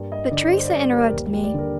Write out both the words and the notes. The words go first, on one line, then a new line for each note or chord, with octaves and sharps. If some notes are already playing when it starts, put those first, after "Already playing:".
But Teresa interrupted me.
Already playing: G2 A#3
G3 D#5
D3 D5
G2 C5
D5
G2
C5
G3 A#4
D#2
G3
D5
D3 A#4